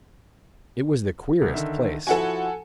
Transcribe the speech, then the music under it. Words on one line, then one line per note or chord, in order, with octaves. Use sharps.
It was the queerest place!
C2
D3 D#3 E5
F3 E4 F#4 A4 F#5 G#5